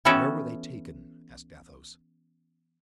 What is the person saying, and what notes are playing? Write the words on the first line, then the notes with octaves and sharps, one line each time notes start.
"Where were they taken?" asked Athos.
E3 B3 C#4 F#4 A4 G5